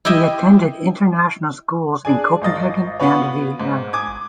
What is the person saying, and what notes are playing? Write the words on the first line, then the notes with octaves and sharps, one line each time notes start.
He attended International Schools in Copenhagen and Vienna.
E4 G4 D#5 E5
D4 G#4 D5 G#5
G#1 F4 D#5 A6
B3 F4 F#4 B4 C#5
G#2
G#5 D6 D#6 G#6